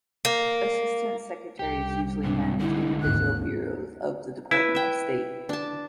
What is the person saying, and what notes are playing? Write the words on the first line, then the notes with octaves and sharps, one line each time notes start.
Assistant Secretaries usually manage individual bureaus of the Department of State.
A#3
C2 G4
G#2 C3 D4
D3 G#3 D#4 E4
G#1 D#2 G#2 F#6
E4 B4 E5
E5 G5
D4 A5